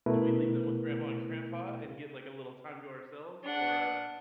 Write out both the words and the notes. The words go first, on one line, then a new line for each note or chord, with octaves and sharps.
do we leave them with grandma and grandpa and get, like, a little time to ourselves? Or, uh,
B2 A3 B3 E4 A#4 B4
D4 F#5